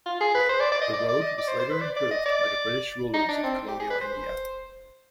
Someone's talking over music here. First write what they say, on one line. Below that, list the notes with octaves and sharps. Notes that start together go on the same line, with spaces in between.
The road was later improved by the British rulers of colonial India.
F4
G#4
B4
C5
D5
D5
D#5
D5
D5
D#5
D5
C5
C5
B4
D5
D5
D#5
D5
D#4
D4
C4
G4
G#4
B4
C5